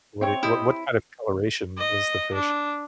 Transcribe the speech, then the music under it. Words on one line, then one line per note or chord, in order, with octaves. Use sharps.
what it What what kind of coloration is the fish?
C4 C#5 E5 G5
E4 G4 C5 D#5
D#5
D4